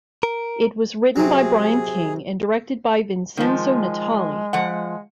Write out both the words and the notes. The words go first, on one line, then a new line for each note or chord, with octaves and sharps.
It was written by Brian King and directed by Vincenzo Natali.
A#4
C3 F#3 G#4
D#3 F3 G#3
F3 F#5